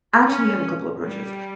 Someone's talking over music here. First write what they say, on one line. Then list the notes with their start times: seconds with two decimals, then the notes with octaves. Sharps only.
I actually have a couple of approaches.
0.25 C#4
1.05 G3